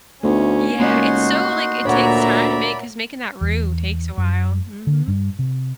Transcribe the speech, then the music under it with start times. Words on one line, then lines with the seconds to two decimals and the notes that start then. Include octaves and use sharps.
Yeah, it's so, like it takes time to make 'cause making that roux takes a while, mhm.
0.23 D2 A3 B3 C#4 D#4
0.80 C#2 A#3 D#4 F#4 D5 C6
1.85 D2 A#2 C#5 D5 E5 F#5 A#5 B5
3.41 E2
4.18 F#2
4.87 D3
5.08 G2
5.39 C3